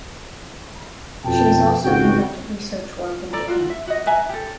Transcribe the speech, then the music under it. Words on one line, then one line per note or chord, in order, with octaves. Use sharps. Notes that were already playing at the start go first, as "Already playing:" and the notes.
She has also conducted research work in Japan.
F2 B2 G5 A5
G#1 C#2 F#4 G5
A4 D5 A#5
F4 F#4
E5
F#4 D#5
B4 E5 G#5 A#5
G4 A4